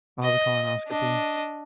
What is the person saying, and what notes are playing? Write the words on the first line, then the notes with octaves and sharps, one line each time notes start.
Oh, the colonoscopy.
D#5
D4 D#5